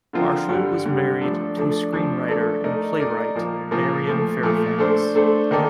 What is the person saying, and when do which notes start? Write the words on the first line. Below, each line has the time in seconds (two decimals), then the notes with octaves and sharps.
Marshall was married to screenwriter and playwright Marion Fairfax.
0.13 D3 F3 C4 F4 A#4
0.49 G2 D3 G3
0.86 G2 D3 G3
1.21 F3 A3 D4 A4
1.57 F3 A3 D4 A4
1.93 F3 A3 D4 A4
2.28 F3 A3 D4 A4
2.64 A3 D#4 A#4 D5
2.99 A3 D#4 A#4 D5
3.35 A#2 F3 A#3
3.71 A#2 F3 A#3
4.07 A#2 F3 A3
4.43 A#2 F3 A3
4.79 A3 D4 A4 C5
5.15 A3 D4 A4 C5
5.51 D#3 A#3 D#4 A4 D5